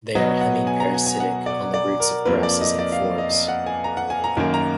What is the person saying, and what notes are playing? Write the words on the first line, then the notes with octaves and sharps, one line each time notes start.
They are hemiparasitic on the roots of grasses and forbs.
B2 F#3 B3 D#5
F#5
G#5
A#5
G#5
G#5
F#5
D5
D5
A#4
F2 F3 A#3 B4
D5
D#5
D5
F5
D#5
D#5
F#5
G#5
A#5
F#5
G#5
A#5
F#2 D#3 A#3 G#5
A#5